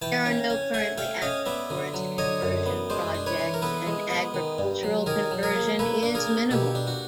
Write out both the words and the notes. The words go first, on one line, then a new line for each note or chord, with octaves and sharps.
There are no currently active forest conversion projects, and agricultural conversion is minimal.
E3 G5 A5
C#4
C#4
A3 F#5 G#5
A3 F5 G5
C#4 D#5 F5
B3 D5 E5
D3
F#3
D3 C#5 D#5
F#2
B3
G#3 C5 D5
D4
B4 C#5
E3
A#4
B3 A4 B4
G#3
B3
D#3
G2
F#3
D#3 G#4 A#4
F#3
G#4 A#4
A#3
A#3 A4 B4
D4
G#4 A#4
A#3
B2 G4 A4
D4
F#4